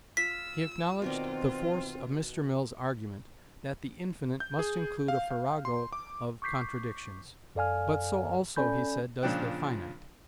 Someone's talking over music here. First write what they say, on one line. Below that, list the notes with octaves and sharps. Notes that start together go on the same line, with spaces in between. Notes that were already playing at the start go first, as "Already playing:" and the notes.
He acknowledged the force of Mr. Mill's argument, that "The Infinite" must include "a farrago of contradictions;" but so also, he said, does the Finite.
F4 E6 B6
B2 D#3 C4 F4 D5
G6
G#4
F5
F5
C6
D6
C#6 D6 G6 B6 C7
F#2 A4 D5 F5 G#5 F6
C#4 A4 D5 G#5 B5 G6
A#2 C#3 F3 D4 G5 F#6